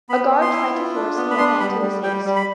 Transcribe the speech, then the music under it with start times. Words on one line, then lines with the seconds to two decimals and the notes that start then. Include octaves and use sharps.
A guard tried to force the young man to his knees.
0.09 B3 B5
0.31 B3
0.41 C6
0.52 E4
0.74 F4
0.95 D4
1.17 B3
1.31 B5
1.38 D4 C6
1.60 G3 B5
1.82 G3
2.03 G3 G5
2.25 G3
2.36 B5